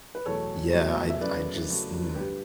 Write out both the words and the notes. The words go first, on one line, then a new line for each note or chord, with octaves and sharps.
yeah, I I just mm.
B4
E2 B2 F#3 A3 A4 C#5
E2 B2 F#3 A3
E5
F#2 C#3 F#3 A3 B4 D5
F#2 C#3 F#3 A3
G2 D3 G3 G4 B4